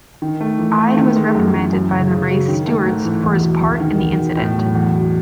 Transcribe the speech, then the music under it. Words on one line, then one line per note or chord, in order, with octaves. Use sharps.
Ide was reprimanded by the race stewards for his part in the incident.
D#3
A3
E3
A3
D#3
G#3
F#2
E3
F#2
C#3
C#3
F#3
D#3
A3
G#2
E3
E2
B2
E2
D#3
E2
B2
A2
F#3
E2
B2